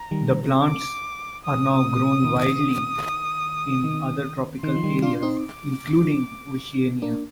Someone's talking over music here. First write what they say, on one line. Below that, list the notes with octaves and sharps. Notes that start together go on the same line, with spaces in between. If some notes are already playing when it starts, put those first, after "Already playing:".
The plants are now grown widely in other tropical areas, including Oceania.
Already playing: A#5
D#3 G3
D6
D#6
D#3
D#3
D#3 C6
F3
D#3 G3
D4 F4
C4 D#4
D6
A#3 D4